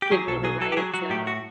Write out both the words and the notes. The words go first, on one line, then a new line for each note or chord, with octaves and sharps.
give me the right, uh
G4
F#3 G#4
B1 A4
F#3 G#4
F#3 A4
G4
F#3 G#4
F#3 F#4
A2 G4
F#4